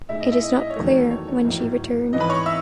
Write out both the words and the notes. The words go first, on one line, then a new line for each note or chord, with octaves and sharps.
It is not clear when she returned.
A2 G#3 D#4 E4 E5
D#5
E4 E5
D#5
D#5
C#5
E2 D#3 F#3 A3
C#5
C#5
C#5
A1 G#2 F#3
G#2 E3 B3 D#5
B4 B5
C#5 C#6
E5 E6